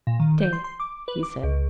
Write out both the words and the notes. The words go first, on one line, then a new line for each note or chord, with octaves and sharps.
"Stay!" he said.
A#2
D#3
G6
C6
C6
D6
B4
D6
C#2